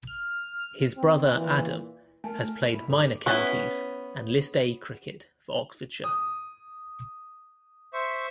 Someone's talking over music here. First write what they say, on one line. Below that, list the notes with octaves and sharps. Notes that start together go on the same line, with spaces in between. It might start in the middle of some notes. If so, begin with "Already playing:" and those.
His brother, Adam, has played Minor counties and List A cricket for Oxfordshire.
F6
C4
A#2 E3
A3 A#4 G#5 A5
B2 E4
G2 G4 A4 D6
B3 C#4 E4
D#6
C5 E5 C#6